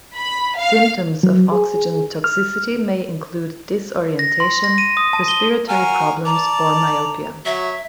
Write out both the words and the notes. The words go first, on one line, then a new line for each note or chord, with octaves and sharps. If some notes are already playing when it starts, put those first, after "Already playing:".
Symptoms of oxygen toxicity may include disorientation, respiratory problems, or myopia.
B5
F5
F#3
G#4
F6
A#6
C6
A#6
D#7
D#6
A5
G7
F#4 A#4 F5 G#5
D5 A5 A#5
F#3 E5